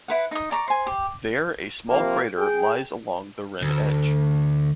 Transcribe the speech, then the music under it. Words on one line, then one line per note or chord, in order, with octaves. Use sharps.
There a small crater lies along the rim edge.
E4 B4 F#5
D#4 D#6
D5 A#5 C#6
C5 G#5
G4
C3 F3 A#3
G#4 G5
D2